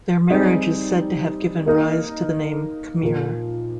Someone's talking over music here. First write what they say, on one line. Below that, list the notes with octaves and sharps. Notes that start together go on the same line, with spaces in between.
Their marriage is said to have given rise to the name Khmer.
G3 C4 D#4 G#4 D5
A#3 D#4 A#4 D#5
A#2 F3 A#3